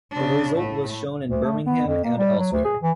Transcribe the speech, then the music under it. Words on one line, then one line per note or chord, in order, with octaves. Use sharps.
The result was shown in Birmingham and elsewhere.
C#3 D4
A2 A3
D2
A3
B3
F2
A#3
G3
F#3
D2
G#4
E3